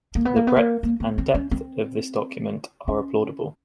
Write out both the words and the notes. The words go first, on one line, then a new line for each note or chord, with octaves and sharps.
The breadth and depth of this document are applaudable.
A#3
B3
A#3
B3
A#3
A#3
B3
C4
C#4
C4
C#4